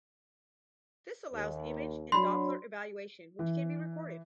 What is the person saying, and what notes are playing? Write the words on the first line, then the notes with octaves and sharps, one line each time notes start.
This allows image and Doppler evaluation which can be recorded.
D#2
F#3 D4 B5 C6
E3